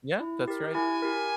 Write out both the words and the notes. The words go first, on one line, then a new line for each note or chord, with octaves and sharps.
Yeah, that's right.
E4
G4 A#4
E4 G#5
G4 A#4